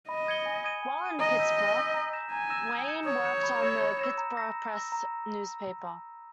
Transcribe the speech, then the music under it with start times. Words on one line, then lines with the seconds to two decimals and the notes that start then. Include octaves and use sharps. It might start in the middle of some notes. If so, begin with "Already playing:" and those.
While in Pittsburgh, Wynne worked on the "Pittsburgh Press" newspaper.
0.09 D#5 B5
0.27 D#6 G#6 C#7 G7
0.46 G#5
0.64 D#6 G#6 D#7
0.83 G#5
1.01 D#6 G#6 D#7
1.20 D#5 A#5
1.39 E6 G6 B6
1.57 A#5
1.76 E6 G6 B6
1.94 A#5
2.13 E6 G6 A#6 E7
2.32 G#5 A#5
2.50 E6 G6 A#6 E7
2.69 D#6
2.87 G6 C#7 E7
3.06 C#5 D#6
3.25 G6 C#7 E7
3.43 B5
3.62 E6 A#6 E7
3.81 B5
3.99 E6 A#6 E7
4.18 A#5
4.36 E6 A#6
4.55 A#5
4.74 E6 A#6
4.92 A#5